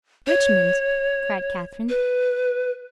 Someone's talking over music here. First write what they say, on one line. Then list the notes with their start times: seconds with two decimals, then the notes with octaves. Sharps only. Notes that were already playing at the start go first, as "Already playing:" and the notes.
"Richmond!" cried Catherine.
0.27 C#5
1.89 B4